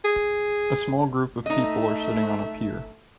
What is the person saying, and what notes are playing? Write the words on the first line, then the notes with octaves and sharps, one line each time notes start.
A small group of people are sitting on a pier.
G#4
A3 D#4 D#5 E5